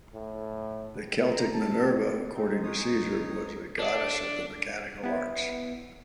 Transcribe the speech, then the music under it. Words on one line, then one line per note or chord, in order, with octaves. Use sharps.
The Celtic Minerva, according to Caesar, was a goddess of the mechanical arts.
A2
A#5
A5
G#3 C4 D#4
D#4 C#5 D#6
C#2
D4
B3 E4